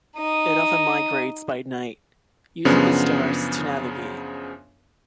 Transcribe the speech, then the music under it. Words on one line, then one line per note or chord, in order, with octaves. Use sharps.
It often migrates by night, using the stars to navigate.
D#4 D#6
F#2 C#3 F3 B3 D4